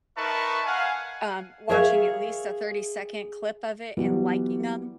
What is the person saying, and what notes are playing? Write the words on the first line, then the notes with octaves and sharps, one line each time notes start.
um, watching at least a thirty-second clip of it and liking 'em
D#4 A#4 B4 E5 A5 C#6
F5 F#5 G#5
G#4 A#4 C#5 E5 F5
E3 F#3 G3 B3